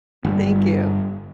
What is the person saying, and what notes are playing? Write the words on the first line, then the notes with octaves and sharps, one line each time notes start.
Thank you.
G1 G3